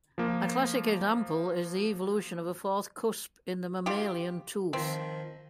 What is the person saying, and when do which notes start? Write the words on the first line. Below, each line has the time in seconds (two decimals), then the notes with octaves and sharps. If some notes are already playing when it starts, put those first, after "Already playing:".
A classic example is the evolution of a fourth cusp in the mammalian tooth.
0.18 F3 A#3
3.86 F4 G4
4.73 D#3 F3 C4